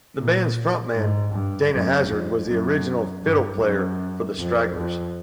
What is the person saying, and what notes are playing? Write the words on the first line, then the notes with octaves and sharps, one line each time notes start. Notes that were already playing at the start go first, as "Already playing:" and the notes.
The band's front man, Dana Hazzard, was the original fiddle player for the Stragglers.
A#2
G#2
G2
F#2
F2
F#2
G2
F#2
F2
F2